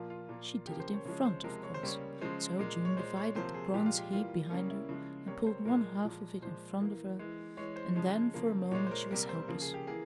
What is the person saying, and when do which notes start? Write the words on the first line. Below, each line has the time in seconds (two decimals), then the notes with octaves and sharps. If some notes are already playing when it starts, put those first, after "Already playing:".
She did it in front, of course, so June divided the bronze heap behind her and pulled one half of it in front of her and then for a moment she was helpless.
Already playing: A#2 F3 A#3 F4
0.10 F4
0.29 A#2 F3 A#3
0.67 C#3 F3 A#3 G4
0.80 C5
0.94 C#5
1.05 C#3 F3 G#3 C#5
1.25 C5
1.44 C3 F3 G#3 A#4
1.63 C#5
1.74 C5
1.83 C#3 G3 A#3 C#5
2.21 C#3 F3 G#3 C5
2.59 A#2 G#3 A#4
2.85 C#5
2.97 A#2 G#3 C5
3.17 C#5
3.35 C3 F3 A#3 C5
3.54 G#4
3.74 A#2 F3 G#3 G4
3.86 F4
3.98 G4
4.13 E3 G3 A#3 F4
4.50 C#3 G3 A#3 C#4
4.70 E4
4.89 C#3 F3 G#3
5.27 C3 G3 A#3 C#5
5.47 C5
5.65 A#2 F3 G#3 A#4
6.04 A#2 F3 G#3
6.42 A#2 F3 G#3 C5
6.80 E3 A#3
7.19 E3 G#3
7.57 E3 G#3 C#5
7.76 C5
7.96 C#3 F3 G#3
8.34 C#3 F3 A#3
8.71 A#2 G#3 C#5
8.87 C5
8.91 A#4
9.11 C3 G3 A#3 A#4
9.29 C5
9.48 C#3 F3 A#3
9.62 G#4
9.74 G4
9.87 E3 A#3 G#4